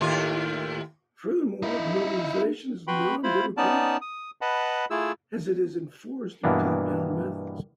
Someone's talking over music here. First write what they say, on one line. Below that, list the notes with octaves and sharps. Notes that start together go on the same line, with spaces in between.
Furthermore, globalization is non-democratic, as it is enforced through top-down methods.
D#2 A2 F4
D#4 E4
F#4 B4 G5 B5 C6
E4 F4 C5 B5
B3 C#4 D#4 D5 A5
D#6
B4 D#5 F#5 A5 B5
A3 E4 F4 G#4 E6
G2 B2 E3 A#3 B3 D4